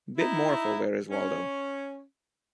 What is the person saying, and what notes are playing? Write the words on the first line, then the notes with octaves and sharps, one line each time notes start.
Bit more of a 'Where Is Waldo?
D#4 E4
C#4